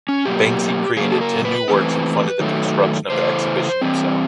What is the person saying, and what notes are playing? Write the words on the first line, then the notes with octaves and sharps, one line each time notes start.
Banksy created ten new works and funded the construction of the exhibition himself.
C#4
B2 F#3 A#3 G4
C#3 F#3 A#3 G#4
A4
A#4
B4
E3 A3 C4
D#3 F#3 A3
C#3 E3 A3 C5
E3 G3 C4